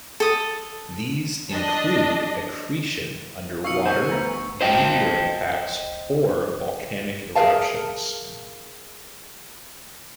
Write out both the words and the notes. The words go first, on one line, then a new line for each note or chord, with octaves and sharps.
These include accretion under water, meteor impacts, or volcanic eruptions.
A4 D#6
D4 D#5
B2 D#4 F5 C#6 E6 C#7
C5 G#5
D2 B3 A#5
C5 D#5 G5
G#4 A#4 B4 C#5 F5 A5